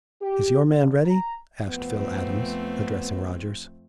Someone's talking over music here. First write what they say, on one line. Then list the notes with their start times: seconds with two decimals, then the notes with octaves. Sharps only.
"Is your man ready?" asked Phil Adams, addressing Rodgers.
0.21 G4
0.69 D3
1.06 A#5
1.70 F2 A3 B3 C4